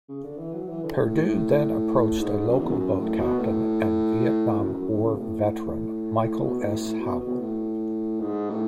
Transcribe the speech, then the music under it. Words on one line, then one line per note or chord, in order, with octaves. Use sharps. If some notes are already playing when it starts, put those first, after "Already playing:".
Perdue then approached a local boat captain and Vietnam War veteran, Michael S. Howell.
C#3
D3
E3
F#3
E3
D3
A2
A2
G#2
F#2
E2
F#2
F#2
A2
B2
A2
F#2
F#2
A2
C#3
B2
A2
B2
A2
A2
B2
B2
A2
G#2
A2